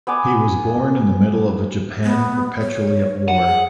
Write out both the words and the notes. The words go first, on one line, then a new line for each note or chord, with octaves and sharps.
He was born in the middle of a Japan perpetually at war.
B3 G#5 D6
B3
C#5
F#5
G#4